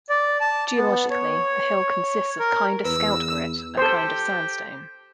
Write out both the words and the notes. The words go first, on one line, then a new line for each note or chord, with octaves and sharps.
Geologically, the hill consists of Kinder Scout Grit, a kind of sandstone.
D5
A5
B3
C#5
A#4
E2 B4 E6
G4 A4 C5